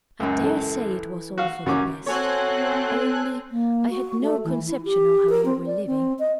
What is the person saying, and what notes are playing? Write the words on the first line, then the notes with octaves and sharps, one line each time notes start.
I dare say it was all for the best, only I had no conception of how you were living.
C#2 F#2
E3 A4
F#4 F5
F#2 C#3 E3 C#4 F#4 D6
C4 F#4 A4 C#5 G#5 F#6
A#3
F#4
A3
E3
E4
G4
A#4
C4
D5
C4
D#5